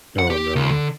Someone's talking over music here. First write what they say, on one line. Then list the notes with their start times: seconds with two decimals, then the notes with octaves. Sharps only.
Oh, no.
0.19 F#5
0.30 G4
0.56 C#2
0.71 D3